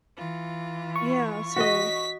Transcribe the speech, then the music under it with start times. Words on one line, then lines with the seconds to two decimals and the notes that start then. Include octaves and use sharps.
Yeah, so
0.17 E3 F4
0.96 C#6
1.56 F#4 D#5 B6